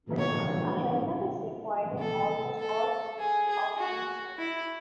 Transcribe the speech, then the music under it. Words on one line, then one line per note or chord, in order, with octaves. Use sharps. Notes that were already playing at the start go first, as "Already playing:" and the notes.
A helmet is required on almost all courses of any size.
C#5
A4
A4
G#4
G#4
F#4
E4